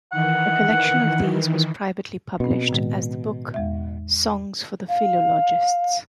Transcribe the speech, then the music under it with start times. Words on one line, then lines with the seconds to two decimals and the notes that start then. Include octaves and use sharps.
A collection of these was privately published as the book Songs for the Philologists.
0.12 D#3 E3 F#5
2.40 B2 C4 C#4
2.69 A2 D#3 G#3
3.54 E2 G#3 E5
4.88 F5